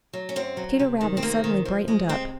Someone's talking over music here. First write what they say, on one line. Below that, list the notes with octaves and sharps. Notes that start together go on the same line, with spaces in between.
Peter Rabbit suddenly brightened up.
F#3
C#4
F#2 C4
F#3
C3
D#3
C4
C3 A#3
D#3
F3
G#3
C3 C4